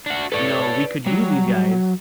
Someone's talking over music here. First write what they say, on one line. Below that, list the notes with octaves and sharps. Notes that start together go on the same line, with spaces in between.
you know, we could use these guys
D4 F#4
A4 B4 C#5 D5
F#3 G3